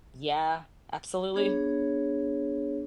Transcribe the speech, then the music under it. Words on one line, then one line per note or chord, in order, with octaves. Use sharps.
Yeah, absolutely.
B3 D4 G#4 C#5